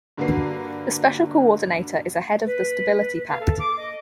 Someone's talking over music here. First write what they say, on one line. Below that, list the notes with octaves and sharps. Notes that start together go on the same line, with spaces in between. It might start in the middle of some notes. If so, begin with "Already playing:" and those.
The Special Coordinator is a head of the Stability Pact.
G2 D3 A#3 F#4 B4 C7
B4
F5
A4
D6
D#5